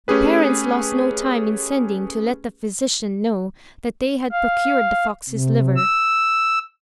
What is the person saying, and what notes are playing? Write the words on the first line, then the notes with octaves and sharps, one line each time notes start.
The parents lost no time in sending to let the physician know that they had procured the fox's liver.
A3 C#4 G4 G#4 B4
F5
C3
E6